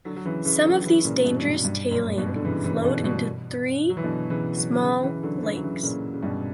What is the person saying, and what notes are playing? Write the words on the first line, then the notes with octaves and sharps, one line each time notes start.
Some of these dangerous tailing flowed into three small lakes.
D3 F#3
F#3
C#3 E3
C#3 E3
D3 F#3
C#3 E3
A#2 C#3
G2 B2
G2
G2
F#2 A#2
G2 B2
D3
C#3 E3
C#3 E3
B2 D3
G2 B2
F#3
E3
B2 D3
C#3 E3
F#3
D3 F#3
C#3 E3
C#3 E3
D3 F#3
D3
C#3 E3
F#3
C#3 E3
A#2 C#3
C#3
G2 B2